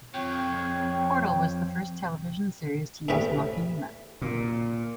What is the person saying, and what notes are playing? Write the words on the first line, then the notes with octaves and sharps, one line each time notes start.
"Portal" was the first television series to use machinima.
F2 C#5 G5
E2 G#2 C3 G3 A3 C#4
A#2